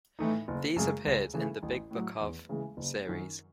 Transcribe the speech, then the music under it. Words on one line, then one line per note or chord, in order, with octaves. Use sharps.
These appeared in the Big Book Of... series.
A2 E3 A3 D#4
F#1
F#2 C#3 G#3
C#2
C#3 E3 A3
A1
A2
F#3
E2
C#3 E3 G#3
F#1
F#2 D#3 F#3